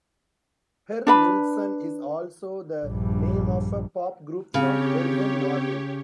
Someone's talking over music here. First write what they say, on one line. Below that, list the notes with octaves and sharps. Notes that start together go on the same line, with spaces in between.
"Herr Nilsson" is also the name of a pop group from Bergen, Norway.
D4 B4 B5
A#1 G2
C#3 C4 G4 C#5